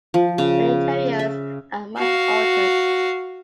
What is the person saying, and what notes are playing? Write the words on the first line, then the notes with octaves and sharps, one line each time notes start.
The interiors are much altered.
F3
C#3
E5
F#4 F5